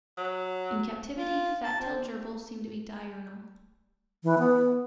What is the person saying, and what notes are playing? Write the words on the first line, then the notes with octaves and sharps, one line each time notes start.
In captivity fat-tailed gerbils seem to be diurnal.
F#3
F4
A5
C4
E3
B3